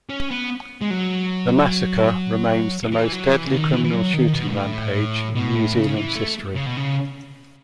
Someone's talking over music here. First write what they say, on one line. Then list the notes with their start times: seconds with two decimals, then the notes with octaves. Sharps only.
The massacre remains the most deadly criminal shooting rampage in New Zealand's history.
0.09 C#4
0.30 B3
0.81 G#3
0.90 F#3
2.92 E3
3.12 F#3
3.33 E3
3.45 C#3
3.53 D#3
3.73 E3
3.84 E3
3.93 F#3
4.14 D#3
4.34 B2
4.47 G#2
4.54 A2
5.35 B2
5.55 A2
5.75 C#3
5.95 E3
6.15 A3
6.55 C#3
6.66 B2
6.77 C#3